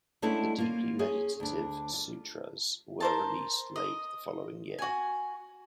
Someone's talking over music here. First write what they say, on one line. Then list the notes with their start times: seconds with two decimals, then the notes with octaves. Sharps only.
The deeply meditative "Sutras" was released late the following year.
0.22 G#3 A3 C#4 D4 E4 F#5
0.58 A#3 F4
0.99 C#4 G#4
1.40 D2 D4
1.93 F4
3.00 A#4 C5 A5
3.76 D#5
4.79 F#4 G#5